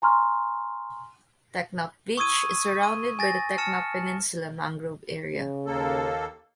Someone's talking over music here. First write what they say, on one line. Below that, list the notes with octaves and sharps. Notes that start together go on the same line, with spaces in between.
Teknaf beach is surrounded by the Teknaf peninsula mangrove area.
G#5 A#5 C6 C#6 F6
C#6 D#6 E6 G#6 D#7
D#7
G#5 A6 A#6
A5 F6 C#7 E7
C#3
D#2 A#3 A4